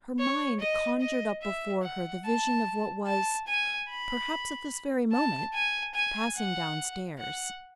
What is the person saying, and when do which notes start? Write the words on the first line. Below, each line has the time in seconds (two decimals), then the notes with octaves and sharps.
Her mind conjured up before her the vision of what was, perhaps at this very moment, passing downstairs.
0.19 C#5
0.60 D#5
1.01 D#5
1.42 E5
1.83 F#5
2.25 A5
3.07 A5
3.48 G#5
3.89 B5
5.12 A5
5.54 G#5
5.95 G#5
6.36 F#5
7.19 F#5